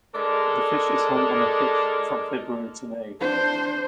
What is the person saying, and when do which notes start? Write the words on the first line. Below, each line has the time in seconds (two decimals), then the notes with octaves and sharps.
The fish is hung on the "hjell" from February to May.
0.15 G#3 D4 A4 A#4
3.21 D4 C5